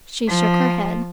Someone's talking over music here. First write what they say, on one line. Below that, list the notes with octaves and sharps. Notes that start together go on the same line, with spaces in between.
She shook her head.
F3